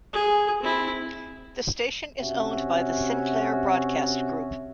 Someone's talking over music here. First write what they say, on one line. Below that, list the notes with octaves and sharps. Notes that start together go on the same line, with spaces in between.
The station is owned by the Sinclair Broadcast Group.
G#4
C4 E4
C3 C#4 F#4 E5